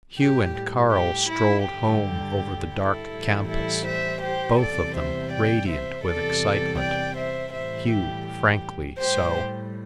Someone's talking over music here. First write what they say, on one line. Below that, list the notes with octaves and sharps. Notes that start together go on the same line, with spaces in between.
Hugh and Carl strolled home over the dark campus, both of them radiant with excitement, Hugh frankly so.
A2 G3 G4
G4
E4
G2 D3 G3 G4
E4 A4
A2 E3 G3
E4 A4
C5 E5
G4 C5
E2 C3 G3 A4 D5
C5 E5
D5 G5
C5 E5
E2 C3 G3 A4 D5
D5 G5
C5 E5
A2 E3 G3 C5 E5
G4
G4
A2 G3 G4 C5